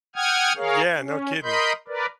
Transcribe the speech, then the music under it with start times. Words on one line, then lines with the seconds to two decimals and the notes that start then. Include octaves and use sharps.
Yeah, no kidding.
0.16 F#5 G5 D#6 F6 G#6
0.57 G#4 A#4 C#5 F5
0.97 C#4
1.43 A#4 D#5 B5 C6 G6
1.88 A#4 B4 D5